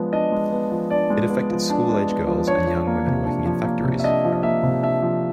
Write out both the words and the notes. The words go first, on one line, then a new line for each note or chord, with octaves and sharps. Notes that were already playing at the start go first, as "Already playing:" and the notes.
It affected school-age girls and young women working in factories.
Already playing: F3 G#3 B3 D4
D4 D#5
G#3
B3
F3
D4 D5
G#3
B3
F3
D4
G#3
B3
F3
D4 C#5
F3
A#3
C3
D4
F3
A#3
C3
E5
D4 D#5
F3
D#5
A#3 E5
C3
D4 E5
F3